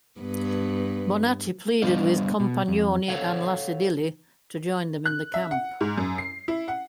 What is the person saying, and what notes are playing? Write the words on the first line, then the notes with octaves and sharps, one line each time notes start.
Bonatti pleaded with Compagnoni and Lacedilli to join them in the camp.
G2 B3 B4
G3 B3 D4 C5 D#5 F5
B2
F2
A4 C#5 F5 F#5
F#6
E5
F#5
G#2
F#2
C7
E4
F#5